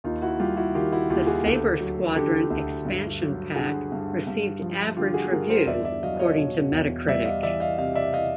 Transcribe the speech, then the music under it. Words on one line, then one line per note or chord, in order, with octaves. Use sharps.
The "Sabre Squadron" expansion pack received "average" reviews according to Metacritic.
D#2 D#4 F4
E4 F#4
G3 F4 G4
E4 F#4
D#3 F4 G4
E4 F#4
D#2 F4 G4
F#4 G#4
D2 G4 A4
F#3
D3 G4 A4
D2
G2
F#3
D3 F#4 G#4
G2
G2
F3
D3 F4 G4
F#4 G#4
G2 G#4 A#4
A#4 C5
E2 D5 E5
D5 E5
F#3 D#5 F5
C#5 D#5
B2
E2
G3 D5 E5
D#5 F5
E3 D5 E5
D#5 F5
C3 D#5 F5
D5 E5
D#5 F5